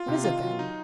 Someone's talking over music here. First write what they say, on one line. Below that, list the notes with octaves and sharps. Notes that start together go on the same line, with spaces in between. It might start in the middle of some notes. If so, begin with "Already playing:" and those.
"What is it then?"
Already playing: F4
C3
D#3 F4
F#3
D#4